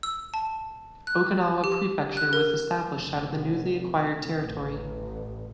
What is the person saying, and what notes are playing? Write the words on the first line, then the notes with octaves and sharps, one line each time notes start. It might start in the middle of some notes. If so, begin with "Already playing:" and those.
Okinawa Prefecture was established out of the newly acquired territory.
E6
A5
F#6
G4
F#6
A#4
F1
A1